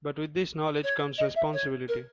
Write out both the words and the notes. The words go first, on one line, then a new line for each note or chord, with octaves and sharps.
But with this knowledge comes responsibility.
C#5
D#5
E5
C#5
A#4